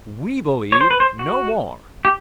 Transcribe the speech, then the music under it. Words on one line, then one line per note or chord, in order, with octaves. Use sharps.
We believe no more.
C#5
C5
B4
C5
F#4
G4